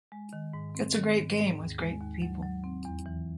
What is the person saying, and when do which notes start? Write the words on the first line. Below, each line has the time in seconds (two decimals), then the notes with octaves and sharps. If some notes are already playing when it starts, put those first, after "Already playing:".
It's a great game with great people.
0.12 G#3
0.33 D#3
0.53 G#2
0.75 C4
0.95 D#3
1.17 G#2
1.38 G#2
1.58 D#2
1.80 G#3
2.01 D#2
2.22 F#3
2.43 F#3
2.64 C4
2.85 E2
3.06 E3